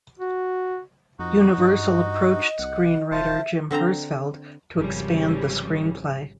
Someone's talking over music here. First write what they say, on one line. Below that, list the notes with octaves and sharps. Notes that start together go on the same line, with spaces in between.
Universal approached screenwriter Jim Herzfeld to expand the screenplay.
F#4
F2 D#4 F#4
G2 D#5
C2 F#5
D#1 F4 C5 E5 A5
D3 C4 C5 A#5
G#1 C#3 F3 G3